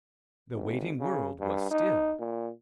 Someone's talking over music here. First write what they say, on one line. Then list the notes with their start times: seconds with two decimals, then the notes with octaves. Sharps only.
"The waiting world was still."
0.54 G#1
1.00 C#3
1.40 G2
1.71 D#4
2.20 A#2